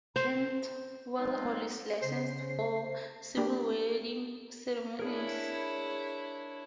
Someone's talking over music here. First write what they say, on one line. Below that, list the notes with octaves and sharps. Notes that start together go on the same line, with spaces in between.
Kentwell Hall is licensed for civil wedding ceremonies.
C5
F#3 G#3 B3 C4 D#4 F4
C#3 C5 C7
A#3 D4 G4
D4 E4 G#4 A#4 C#5